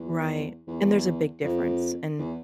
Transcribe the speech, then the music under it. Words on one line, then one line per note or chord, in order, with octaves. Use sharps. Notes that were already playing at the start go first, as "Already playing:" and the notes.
Right, and there's a big difference, and
Already playing: E2
E2
F2
E2